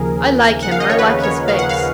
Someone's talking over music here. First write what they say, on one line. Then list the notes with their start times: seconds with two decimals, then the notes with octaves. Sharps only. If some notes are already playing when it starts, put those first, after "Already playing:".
"I like him, and I like his face."
Already playing: D#2 C#3 F3 G#4 A#4
0.63 F#5
0.71 F5
0.80 D#5
0.90 C#5
0.99 B4
1.23 C#5
1.48 F5
1.59 F#5
1.69 F5